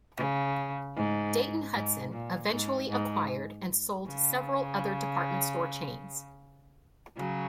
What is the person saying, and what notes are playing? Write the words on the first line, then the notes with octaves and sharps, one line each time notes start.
Dayton-Hudson eventually acquired and sold several other department store chains.
C#3
G#2
G#2
A#2
G#2
G#2
C#3
C#3 F#3